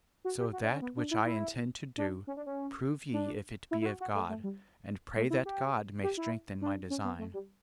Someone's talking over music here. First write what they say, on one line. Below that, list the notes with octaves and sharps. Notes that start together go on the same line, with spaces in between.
So that which I intend to do prove ye if it be of God, and pray that God may strengthen my design.
F#4
G4
F#4
D4
C#4
B3
D4
E4
E4
D4
C#4
D4
C#4
D4
E4
E4
F#4
F#4
A3
A3
G3
A3
E4
G4
G4
E4
D4
C#4
B3
A3
G3